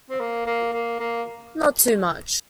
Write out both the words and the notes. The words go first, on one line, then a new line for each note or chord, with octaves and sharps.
Not too much.
C4
A#3
A#3
A#3
A#3